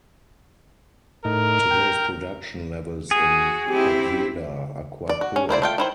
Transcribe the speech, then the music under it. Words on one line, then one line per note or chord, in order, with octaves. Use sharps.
Today’s production levels in Pobjeda are quite poor.
A2 D#4 A#4
G5
F#4 G#4
C4 E4 G4
D5
F#4
C#4
A#3 E4 C5 D5
A3 F4 G5
D#3 E4 C5